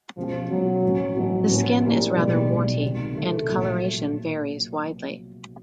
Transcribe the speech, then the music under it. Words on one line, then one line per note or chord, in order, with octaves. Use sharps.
The skin is rather warty and colouration varies widely.
B2 F3 G#3 C#4 F4
B2 F#3 G#3 C#4 F4
A1 A2 F3 A3 C#4
A1 A2 F3 F#3 A3 C#4
A2 F3 A#3 C#4 E4
A2 F3 G3 A#3 C#4 E4
B1 B2 G#3
B1 B2 G#3
C3 D#3 G#3 C4
C3 D#3 G#3 A3 C4
A#1 A#2 F#3